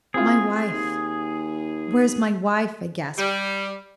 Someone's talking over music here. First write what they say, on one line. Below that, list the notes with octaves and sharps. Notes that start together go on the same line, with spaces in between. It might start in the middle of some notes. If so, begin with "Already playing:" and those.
"My wife--where is my wife?" I gasped.
C4 E4 F4 G#4
D#2
G3